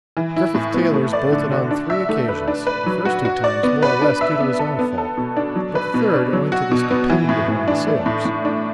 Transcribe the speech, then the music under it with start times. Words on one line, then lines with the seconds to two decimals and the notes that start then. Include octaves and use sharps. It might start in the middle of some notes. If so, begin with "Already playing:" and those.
Griffith Taylor's bolted on three occasions, the first two times more or less due to his own fault, but the third owing to the stupidity of one of the sailors.
0.17 E3
0.36 E4
0.55 A2
0.74 B3
0.94 A3
1.13 D5
1.32 D3
1.52 F#4
1.71 D4
1.90 E5
2.09 A3
2.29 B4
2.48 D4
2.67 B4
2.86 F#3
3.05 F#4
3.25 F#4
3.44 D5
3.63 B3
3.82 B4
4.01 D4
4.21 E5
4.41 B3
4.59 A4
4.79 B3
4.98 A4
5.17 B2
5.37 D4
5.56 F#3
5.75 B4
5.94 B2
6.13 D4
6.33 F#3
6.52 F#4
6.71 B2
6.91 B3
7.10 E3
7.29 A2
7.48 A2
7.68 D4
7.87 A3
8.06 A2
8.25 A2
8.45 D4